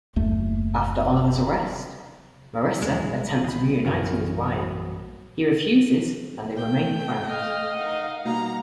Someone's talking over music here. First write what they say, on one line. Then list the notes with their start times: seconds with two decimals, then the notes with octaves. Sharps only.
After Oliver's arrest, Marissa attempts reuniting with Ryan, he refuses and they remain friends.
0.16 F#1 D#2 A3
2.83 E2 E3 G#3
2.98 A#1 A#2 G3
3.44 D#3 B5
3.85 F#2 E3 F#4 A#4
6.57 A3 G5
7.29 D#5 F5 F6
7.77 D#4 A#4 F5 F#5
8.25 B2 G3 A#3 D#4 A#5